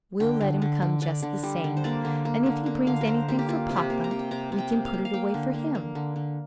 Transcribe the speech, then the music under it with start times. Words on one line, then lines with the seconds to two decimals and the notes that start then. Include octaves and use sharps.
"We'll let him come just the same, and if he brings anything for papa we can put it away for him."
0.20 D3 G5
0.41 D3
0.62 D3
0.82 D3
1.02 D3 D5
1.22 D3
1.43 G3
1.64 D3
1.77 C5
1.84 A#3 D5
2.05 D3
2.25 A#3
2.46 D3
2.66 A#3
2.87 D3 F5
3.01 A#4
3.07 D3 C5
3.28 A#3 G4
3.39 G4
3.49 A#3 F4
3.69 C3
3.76 G4
3.90 A#3
4.04 A#5
4.11 C3
4.19 G5
4.31 C3 A#5
4.52 C3
4.58 G5
4.72 A#3
4.86 F5
4.93 A#3
5.05 F5
5.14 A#3 G5
5.34 D3
5.54 A#3
5.75 A#3
5.95 D3
6.16 D3